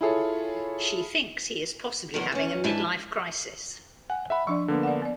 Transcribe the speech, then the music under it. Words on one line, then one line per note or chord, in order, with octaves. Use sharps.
She thinks he is possibly having a midlife crisis.
E4 F4 G#4 A4 C#5
E2 B2 F#3 A#4
E2 C#4
G#2 D4 E4 B4 A5
F#5 G#5
E5 F#5 B5
F3 D4 D5 C#6
D3 A#3 B3
D5 F#5
B3 D5